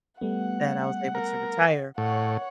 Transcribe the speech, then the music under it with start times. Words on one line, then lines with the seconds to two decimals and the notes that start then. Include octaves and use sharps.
that I was able to retire,
0.21 G3 A3 B3 F#5
1.15 A#4
1.98 A2 C#5 F#5